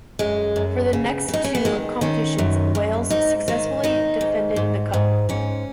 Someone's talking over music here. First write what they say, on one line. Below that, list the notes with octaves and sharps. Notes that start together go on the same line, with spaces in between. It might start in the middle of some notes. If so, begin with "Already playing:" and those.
For the next two competitions Wales successfully defended the cup.
F#2 G#3
F#2
C#3
C#3
D#4
C#4
B3
D#3 G#3
D#3 C#4
F#2
F#2
G#2 D#4
D#3
D#3 D#4
G#2
G#2
G#2
G#2 C#4